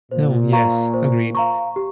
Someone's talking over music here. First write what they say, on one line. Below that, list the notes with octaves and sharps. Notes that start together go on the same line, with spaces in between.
No. Yes. Agreed.
A#2 C5
F5 A#5 C#6
C5
F5 A#5 C#6
G4